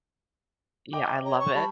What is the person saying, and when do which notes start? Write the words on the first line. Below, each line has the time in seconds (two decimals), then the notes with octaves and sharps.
Yeah, I love it.
0.93 D#5 G5 D6
1.25 C#5 A#5
1.39 C#6
1.55 G3 A5 B5